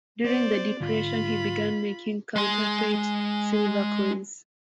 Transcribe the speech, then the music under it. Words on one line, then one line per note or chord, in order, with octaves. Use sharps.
During the Depression he began making counterfeit silver coins.
B3 C4 C5 D5
G#2 D3 F4 B5
G#3 C6